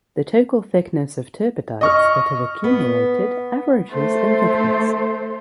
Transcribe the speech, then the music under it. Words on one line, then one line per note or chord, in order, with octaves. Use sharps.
The total thickness of turbidites that have accumulated averages in thickness.
D#5 C#6 F6
B3
A3 C5